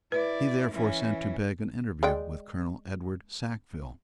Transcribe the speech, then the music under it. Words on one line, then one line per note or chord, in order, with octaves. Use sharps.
He therefore sent to beg an interview with Colonel Edward Sackville.
E4 B4 D5
E3 C#4
G#3 D5 G5